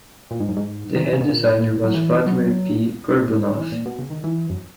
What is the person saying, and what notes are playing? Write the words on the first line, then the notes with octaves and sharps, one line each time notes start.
The head designer was Vladimir P. Gorbunov.
A#2
G#2
F#2
G#2
D#3
E3
C#3
B2
A#2
F#3
E3
F#3
E3
A#2
B2
C#3
D#3
E3
F#2